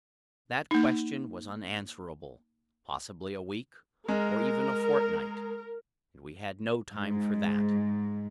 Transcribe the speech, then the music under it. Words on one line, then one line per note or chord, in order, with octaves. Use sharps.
That question was unanswerable; possibly a week, or even a fortnight, and we had no time for that.
A#3 D#4
G#3 A#4
G#2